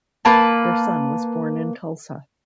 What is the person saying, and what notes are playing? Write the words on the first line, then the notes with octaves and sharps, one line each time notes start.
Their son was born in Tulsa.
A#3 B4 A5